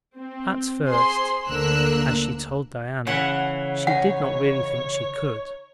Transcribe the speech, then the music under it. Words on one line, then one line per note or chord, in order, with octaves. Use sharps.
At first, as she told Diana, she did not really think she could.
C4
G#4 C5 C6
D2 D3 A#3 A#4 E6 F#6
C#3 E3 E4 C#5 F#5
D#4 F#5